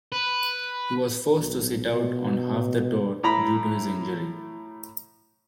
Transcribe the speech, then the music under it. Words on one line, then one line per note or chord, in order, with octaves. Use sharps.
He was forced to sit out on half the tour due to his injury.
B4
B1
B2
A2 A#5 B5